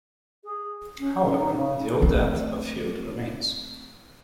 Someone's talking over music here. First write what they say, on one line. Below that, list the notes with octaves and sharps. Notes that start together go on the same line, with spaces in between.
However, the old Depth of Field remains.
G#4
C#4
D#4
C#3
A3 C4